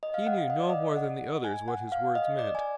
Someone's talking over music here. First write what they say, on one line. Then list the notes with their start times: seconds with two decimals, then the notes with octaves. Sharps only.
He knew no more than the others what his words meant.
0.03 D#5
0.14 F5
0.27 F#5
0.38 F5
0.50 D#5
0.60 D5
0.70 D#5
0.97 F#5
1.44 G#5
1.68 F#5
1.92 F5
2.15 D#5
2.39 D5
2.55 G#5